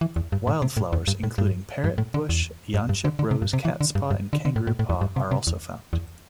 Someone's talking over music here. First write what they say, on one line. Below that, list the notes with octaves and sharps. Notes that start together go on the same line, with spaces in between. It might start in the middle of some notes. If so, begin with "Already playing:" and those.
Wildflowers including parrot bush, yanchep rose, catspaw and kangaroo paw are also found.
E3
E2
G2
A2
C3
A2
E2
G2
A2
G2
G2
A2
D3
E2
G2
G2
D3
D3
C3
G2
C3
E3
D3
G2
G2
D3
D3
A2
A2
A2
E2
G2
C3
C3
E2
E2